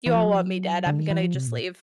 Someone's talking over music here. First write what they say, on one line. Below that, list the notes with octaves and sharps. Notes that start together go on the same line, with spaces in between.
you all want me dead, I'm gonna just leave."
E3
F3
F#3
F3
F#3
D3
D#3
E3
F3
C3
A#2